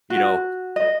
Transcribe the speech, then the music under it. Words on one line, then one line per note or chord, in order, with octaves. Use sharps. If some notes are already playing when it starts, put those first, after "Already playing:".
you know
F#4
D#5